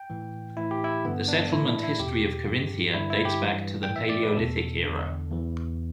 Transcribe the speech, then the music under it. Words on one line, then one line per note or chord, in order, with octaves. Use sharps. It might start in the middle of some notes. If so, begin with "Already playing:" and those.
The settlement history of Carinthia dates back to the Paleolithic era.
Already playing: G5
A2 E3
A2 E3 E4
G4
E4
G2 D3 B3
D4
A2 E3 E4
D4
E4
E2 B2 G4
G2 E3
G2 D3 E4
E4
G4
G2 E3
G5
A2 E3
E5
D5
B4
E2 B2 A4
E2 D3
E2 E3